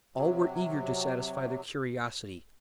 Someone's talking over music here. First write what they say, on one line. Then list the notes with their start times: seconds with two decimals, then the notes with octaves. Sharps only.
All were eager to satisfy their curiosity.
0.15 C3 F#3